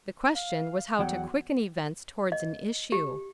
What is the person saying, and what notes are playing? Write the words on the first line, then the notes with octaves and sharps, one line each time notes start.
The question was how to quicken events towards an issue.
F5
E2 F#3 F#5 G5
D#5
G4